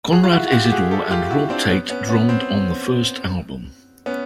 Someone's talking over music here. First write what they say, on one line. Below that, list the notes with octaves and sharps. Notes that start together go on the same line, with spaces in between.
Conrad Isidore and Rob Tait drummed on the first album.
F#4 G#4
F4
E4 F#4
F#4
F4 G4
G4
F#4 G#4
G4 A4
F4 G4
E4 F#4
C4 D4
B3 C#4
B3 C#4
B3 C#4
C4
B3 C#4